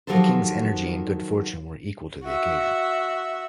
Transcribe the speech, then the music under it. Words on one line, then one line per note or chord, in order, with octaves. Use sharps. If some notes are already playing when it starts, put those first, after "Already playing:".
The king's energy and good fortune were equal to the occasion.
D#3 F3 F#3 G4 A4 C5
F#4 E5